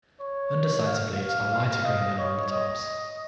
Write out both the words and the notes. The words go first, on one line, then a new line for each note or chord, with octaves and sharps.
Undersides of leaves are lighter green than on the tops.
C#5
F5
F5
F5
D#5
C#5
D#5